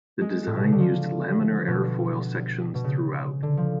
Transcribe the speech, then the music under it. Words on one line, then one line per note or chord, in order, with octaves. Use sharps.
The design used laminar airfoil sections throughout.
G#3
A2
B2
C#3
D3
F3
B2
B2
C#3
D3
F3